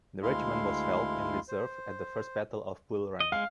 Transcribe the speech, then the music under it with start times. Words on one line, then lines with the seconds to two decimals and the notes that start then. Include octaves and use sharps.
The regiment was held in reserve at the First Battle of Bull Run.
0.23 D2 G#3 E4 F5 C6
1.48 C5
3.20 D#5
3.32 G#3 F5